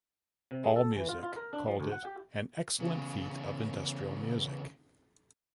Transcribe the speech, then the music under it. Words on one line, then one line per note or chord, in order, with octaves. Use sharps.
AllMusic called it "an excellent feat of industrial music".
C3
G#3
A4
E3
F4
F4
A#4
D4
F3
D2
F#5
G4
E2 C#3